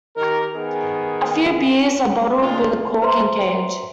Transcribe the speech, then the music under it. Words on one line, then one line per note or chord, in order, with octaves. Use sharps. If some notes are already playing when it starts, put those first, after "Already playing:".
A few beers are bottled with a cork and cage.
D#3 G4 A#4
D#3 B3 G#4
A2 C#3 G#3 D4 F4
B4 C5 E5 A#5 C6